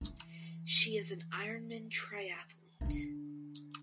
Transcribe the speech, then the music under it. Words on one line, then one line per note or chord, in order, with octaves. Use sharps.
She is an ironman triathlete.
E3
E3
D3